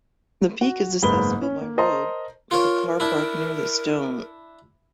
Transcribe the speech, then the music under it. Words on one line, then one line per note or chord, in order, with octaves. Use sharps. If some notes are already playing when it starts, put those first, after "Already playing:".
The peak is accessible by road, with a car park near the stone.
F#4
F#1 G#2 A#3 B3 B5 G7
C#4
A#3
A#4 C5 D#5 A5 A#5 C6
F4 A#4 C#5
D4 E4